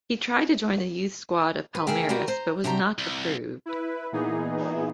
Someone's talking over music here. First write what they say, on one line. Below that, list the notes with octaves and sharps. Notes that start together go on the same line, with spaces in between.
He tried to join the youth squad of Palmeiras, but was not approved.
B4
A2 C#3 G#4 A#4 E5 G5
F#4 G4 A#4 B4 D5
C5 A#5
C3 D4 F#4 G4 A#5
C2
E4 B4
A#2 E3 B3 D#4 G#4